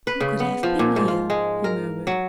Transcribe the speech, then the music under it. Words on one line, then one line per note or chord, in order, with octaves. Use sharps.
"Who could have been here?" he murmured.
B4
C#3
B3
F3
A#2
G#2
F4
G#3
A#4
F#3